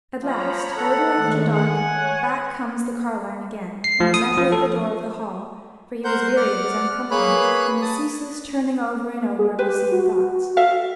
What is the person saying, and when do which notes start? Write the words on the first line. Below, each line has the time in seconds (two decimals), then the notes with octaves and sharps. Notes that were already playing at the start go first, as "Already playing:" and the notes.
At last, a little after dark, back comes the carline again, and he met her at the door of the hall, for he was weary of his own company, and the ceaseless turning over and over of the same thoughts.
0.23 F3 C#5 A#5 B5
0.77 A4 F#5
1.14 D#3 G#3 A3
1.53 F#5 G#5
1.91 C#5
3.84 C7
4.00 F3
4.14 D#6
4.37 F3
4.52 A4
6.05 A#4 C5 F#5 G6
6.37 D5 F#5 F6
7.11 A#3 G#4 B4 C#5 B5 F#6
7.82 A5 D#6
9.39 G#4
9.59 G4 B4 C5
9.92 F#4
10.57 A4 E5 F5